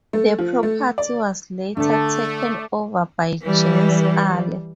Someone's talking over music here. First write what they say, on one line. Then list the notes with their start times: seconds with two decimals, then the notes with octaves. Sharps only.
The property was later taken over by Jens Aller.
0.13 A3
0.39 F3
0.63 A3
0.98 D5
1.77 D3 A3 D5 A5
3.42 E3 G3